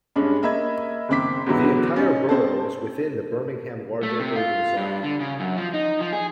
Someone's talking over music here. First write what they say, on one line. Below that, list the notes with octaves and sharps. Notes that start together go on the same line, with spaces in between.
The entire borough is within the Birmingham Larger Urban Zone.
G2 G#3 C#4 D4
A#3 D#5 E5 B5 G#6
F#1 D#3 C4 D6 B6
E2 G#2 D3 F#3 B3 E4
C#4 D#4
C4 C5 A5
A3
C3
F4
G2
D3
C#3
F#2
F3
D#4
F3
G#4